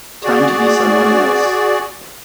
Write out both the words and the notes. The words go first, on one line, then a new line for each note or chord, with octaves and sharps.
Time to be someone else.
F#4 G#4 D5